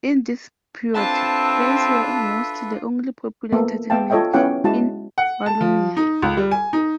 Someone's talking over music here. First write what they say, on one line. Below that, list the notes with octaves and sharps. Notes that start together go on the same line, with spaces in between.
In this period, plays were almost the only popular entertainment in Wallonia.
C4 D4 F4 A4 B4 E5 A5
A#3 B3 A4 E5
B3 E5 F5 G5 A5
F4 A4 C#5 D#5 E5 G5
B3 C#4 E4 C#5 F#5 G5
G#3 E4 F#4 A5
F#5
A5
F3
D#4
C#2
G3
G#5
D#4